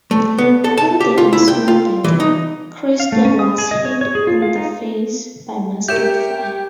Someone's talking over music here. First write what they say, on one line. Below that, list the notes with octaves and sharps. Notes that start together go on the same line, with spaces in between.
In the ensuing battle, Christian was hit in the face by musket fire.
A3
B3
A4
A5
G4
F4
E4
G5
F4
E3
D#4
F5
A3
C#4
D#6
G#4
D#5
C#5
C#5
G#4
F4
F5
D#4
G4 A#4 C#5 E5 G5 G6 E7